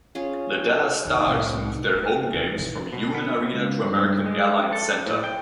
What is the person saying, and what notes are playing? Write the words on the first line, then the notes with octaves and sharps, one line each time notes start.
The Dallas Stars moved their home games from Reunion Arena to American Airlines Center.
C#4 F4 G#4
E2 D#3
C2 A2
A3
D#2
D#3 E3
B2
B3
C#2
G2
G#3
A4
A2
G5